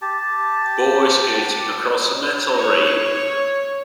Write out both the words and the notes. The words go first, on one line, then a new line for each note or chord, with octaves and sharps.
Boy skating across a metal rail.
G4 A5
C#5